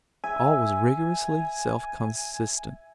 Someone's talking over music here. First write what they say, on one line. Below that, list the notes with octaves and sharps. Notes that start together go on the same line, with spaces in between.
All was rigorously self-consistent.
E5 G#5